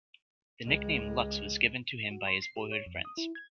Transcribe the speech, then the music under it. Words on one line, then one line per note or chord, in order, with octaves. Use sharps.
The nickname "Lux" was given to him by his boyhood friends.
C#2 G#3
F#4
C6
C7
G4
C#5
F2
D#6
E4
G#6